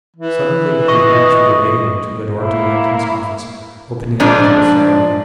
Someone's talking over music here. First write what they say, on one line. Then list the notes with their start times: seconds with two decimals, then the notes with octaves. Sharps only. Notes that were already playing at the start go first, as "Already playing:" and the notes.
Suddenly he hurried through the waiting room to the door to Manton's office, opening it without ceremony.
0.17 E3
0.88 D#5 C#6
2.41 A#3 E4
4.20 G#2 F3 D4